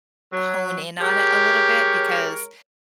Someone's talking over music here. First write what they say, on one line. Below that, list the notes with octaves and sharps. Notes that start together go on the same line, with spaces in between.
hone in on it a little bit, because,
F#3
G#3 G4 A#4 C#5